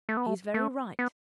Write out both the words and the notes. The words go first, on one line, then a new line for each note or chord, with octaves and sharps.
He's very right.
A3
B3
A3
A3
B3